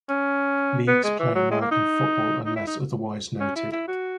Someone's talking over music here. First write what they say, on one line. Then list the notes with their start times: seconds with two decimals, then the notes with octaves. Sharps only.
Leagues play American football unless otherwise noted.
0.09 C#4
0.87 B3
1.04 G#3
1.19 E3
1.35 F#3
1.51 G#3
1.61 A#3
1.71 D#4
2.45 D#4
2.56 E4
2.67 D#4
3.40 C#4
3.56 E4
3.72 E4
3.87 F#4